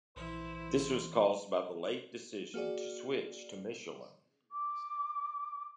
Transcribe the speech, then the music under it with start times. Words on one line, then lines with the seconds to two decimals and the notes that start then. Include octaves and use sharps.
This was caused by the late decision to switch to Michelin.
0.16 A#1 E3 C4 E4 C5
2.54 A#3 F#4 G#4 D5
4.52 D6